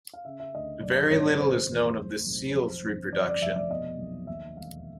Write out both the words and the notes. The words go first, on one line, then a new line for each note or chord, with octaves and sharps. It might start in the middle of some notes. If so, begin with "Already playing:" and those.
Very little is known of this seal's reproduction.
F5
C#3 E5
E5
D2 D#5
F#2 D5
G#1 C#5
C#3 C5
E2
A2
B1
F2
G1
F2 D5
D5
F1 E5
D5
B2 D#5
B1
D#2 E5
E1 F5